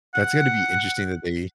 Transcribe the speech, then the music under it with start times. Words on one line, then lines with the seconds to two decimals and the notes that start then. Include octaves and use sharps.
That's gonna be interesting that they
0.14 F#5